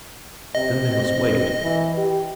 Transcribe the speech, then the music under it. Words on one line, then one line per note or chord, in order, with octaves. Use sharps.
Then they must wait.
C3 D#5
C4
E3
G4